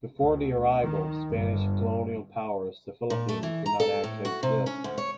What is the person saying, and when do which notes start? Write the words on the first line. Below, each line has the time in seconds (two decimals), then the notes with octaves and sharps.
Before the arrival of Spanish colonial powers the Philippines did not actually exist.
0.20 D2
0.81 D#3
1.31 G1
3.10 A#2
3.29 A3
3.43 E3
3.66 A#5
3.80 A4
4.04 A2
4.25 F#4
4.43 C3
4.66 C#4
4.84 D2
4.98 C#5